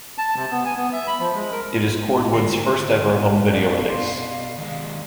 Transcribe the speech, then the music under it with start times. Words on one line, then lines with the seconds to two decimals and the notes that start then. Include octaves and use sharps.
It is Corwood's first ever home video release.
0.18 A5
0.36 C3
0.51 B3
0.65 G#5
0.77 B3
0.93 E5
1.08 B5
1.20 F3
1.35 G#3
1.52 A#4
2.33 D2 F#4 C7
2.92 B4
3.53 B2 D5 F5
3.85 D5 C6
4.58 D#2 G#3